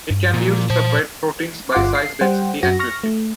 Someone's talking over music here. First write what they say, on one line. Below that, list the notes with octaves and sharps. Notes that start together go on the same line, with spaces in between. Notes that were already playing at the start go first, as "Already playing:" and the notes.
It can be used to separate proteins by size, density and purity.
G2
A#2 F3
A#2 C5 A5
G1 F4 F#5 C6 D6
C7
G3 C5 F#5 G5
F#2 F#4 A#6
C#6 F6 A#6
A3